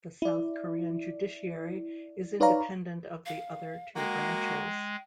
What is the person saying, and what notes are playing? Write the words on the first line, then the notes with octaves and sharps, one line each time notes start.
The South Korean judiciary is independent of the other two branches.
E4 D5
D#4 B4 C#5 D5 F5 A#5
F5
G#3 A#3 F#4 G5